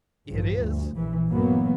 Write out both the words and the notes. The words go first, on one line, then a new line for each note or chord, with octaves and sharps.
"It is."
A1 G2 F3
D2
A#1 E3
G2 A#2 E3 F#3 A#3 B3